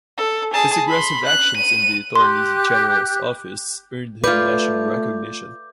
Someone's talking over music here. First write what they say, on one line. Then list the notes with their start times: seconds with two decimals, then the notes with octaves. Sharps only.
His aggressive actions in the Attorney General's Office earned him national recognition.
0.18 A4
0.53 G#4 A5
0.88 B5 C6
1.25 F#6
1.57 D#7
2.15 G4 C6 F#6
4.24 A3 F4 B4 D5 D6 G6